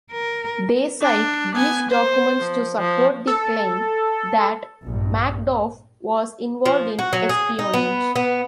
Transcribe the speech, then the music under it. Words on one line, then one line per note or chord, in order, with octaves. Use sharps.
They cite these documents to support the claim that Magdoff was involved in espionage.
A#4
D4
B3 G#5
C5
F3
F3
A4
A#1 G2
F3
F#4
F#3
G#4
D#4
B3
B3